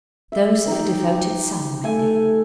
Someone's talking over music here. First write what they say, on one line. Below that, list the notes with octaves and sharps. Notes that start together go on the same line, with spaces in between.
'Those of a devoted son, Wendy.'
E5
D#4 G4
A3 A4 G#5